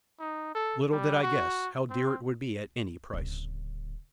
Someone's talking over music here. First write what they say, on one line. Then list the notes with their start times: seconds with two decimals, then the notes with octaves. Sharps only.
Little did I guess how dear it would be at any price!
0.19 D#4
0.55 A4
0.92 G3
1.23 F#4
1.90 C4
3.13 D1 C#3